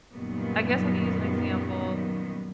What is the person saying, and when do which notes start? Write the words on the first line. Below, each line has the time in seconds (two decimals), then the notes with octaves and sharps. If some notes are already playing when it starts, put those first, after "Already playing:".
I guess I could use an example.
0.12 F#2 A#2 D#3 F#3 G3 B3